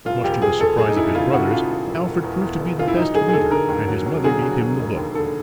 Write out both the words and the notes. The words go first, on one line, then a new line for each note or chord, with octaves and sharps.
Much to the surprise of his brothers, Alfred proved to be the best reader and his mother gave him the book.
E1 F4
E1 G4
E1 G#4
E1 A4
E1 G#4
D#4
E1 E4
C#3 F4
C#3 F#4
C#3 F4
E1
E1
E1
E2
E2
E1
E1 F4
E4
F#3 D#4
F#3 G#4
G#4
D3 A4
D3 A#4
D#2
F#3
F#3
D3 G#4
F#3
F#3
E1
D#2
D3 A4